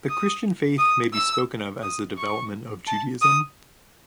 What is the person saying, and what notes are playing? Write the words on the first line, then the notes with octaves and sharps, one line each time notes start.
The Christian Faith may be spoken of as the development of Judaism.
D#6
D#6
E6
D#6
C#6
A5
D#6